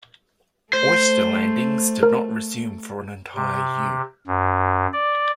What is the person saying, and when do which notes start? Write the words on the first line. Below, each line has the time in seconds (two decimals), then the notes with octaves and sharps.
Oyster landings did not resume for an entire year.
0.73 A3 C5
2.03 A#4
3.36 C3
4.27 F#2
4.93 D5